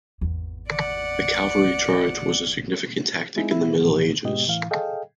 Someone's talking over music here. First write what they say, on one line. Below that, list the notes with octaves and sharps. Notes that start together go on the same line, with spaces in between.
The cavalry charge was a significant tactic in the Middle Ages.
G#1 E2
D5 F#5
G#3 C4 D#4 E4 G#4
E4
C2 A2 E3 F3
G#2 B2 G#3 B3 G4 D#5
A2 E3 F5
G#4 A4 D#5 F5 G5